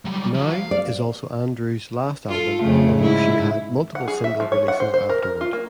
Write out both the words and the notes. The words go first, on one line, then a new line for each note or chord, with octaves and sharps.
"Now" is also Andrews' last album, although she had multiple single releases afterward.
F#3 G3
F3 F#4
F5
D5
F4 A4
F2 C#3 A3
G#2 E4
F#5
G#4
E5
F3
C#5
F#5
C5
C5
A#4
A#4
F4
A#3